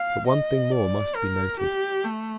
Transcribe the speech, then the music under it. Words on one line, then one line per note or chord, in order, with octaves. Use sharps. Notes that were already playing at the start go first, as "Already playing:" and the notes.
But one thing more must be noted.
Already playing: F5
D#5
D5
A#4
G4
A3